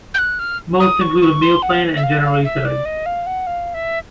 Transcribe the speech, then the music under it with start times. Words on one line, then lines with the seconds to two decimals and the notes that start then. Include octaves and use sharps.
Most include a meal plan and general utilities.
0.14 G6
0.18 F#6
0.39 F6
0.80 D#6
1.01 C#6
1.21 C#6
1.42 C6
1.62 F#5
1.97 E5
2.03 F5
2.24 F5
2.44 E5
2.65 D5
2.85 D#5
3.06 F5
3.26 F#5
3.47 F5
3.74 E5